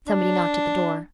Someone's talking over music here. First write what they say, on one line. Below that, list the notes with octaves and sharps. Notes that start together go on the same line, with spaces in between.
Somebody knocked at the door.
D4